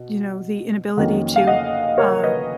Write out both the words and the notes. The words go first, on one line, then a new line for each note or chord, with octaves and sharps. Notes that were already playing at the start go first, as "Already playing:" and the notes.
you know, the inability to, uh,
Already playing: B2
F2 D#3 F#3 A#3 C#4
F5
D#5 F#5
A#4 C#5
B4 D#5